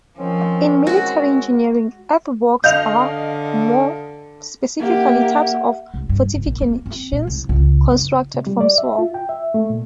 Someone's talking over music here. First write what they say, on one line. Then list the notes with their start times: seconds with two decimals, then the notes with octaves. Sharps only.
In military engineering, earthworks are, more specifically, types of fortifications constructed from soil.
0.18 D#3 F3 C4 C#4
0.87 G#3 F#4
2.64 D3 D#5 F5 G6 F7
4.80 A#3 G4 E5 F#5
5.94 C2
6.09 G2
6.33 F#1
6.46 A#1
6.62 A#3
6.86 C4
7.12 A#2
7.27 C2
7.49 C#2
7.91 F#1
8.34 C3
8.47 G3
8.61 D5
8.78 E5
8.98 F4
9.14 G5
9.29 E5
9.54 A3
9.70 A#2